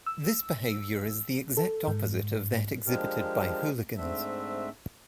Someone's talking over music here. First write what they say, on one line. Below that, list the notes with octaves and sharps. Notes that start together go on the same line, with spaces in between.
This behavior is the exact opposite of that exhibited by hooligans.
E6
A4
G#2
F3 G#3 D4 G4 A#4
G#2 A3 C4 D4 E5